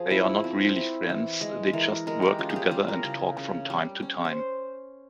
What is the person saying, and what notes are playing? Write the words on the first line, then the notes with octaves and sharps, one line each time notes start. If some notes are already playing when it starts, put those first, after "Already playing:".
They are not really friends, they just work together and talk from time to time.
Already playing: F3 G#4
E4
C4
E4
E3
G#3
E3 A#4
G#3 A#4
G4
C#4 F4
G#4
G4
G3 G#4
A#4
C#3
C#3
G3
C#4
C5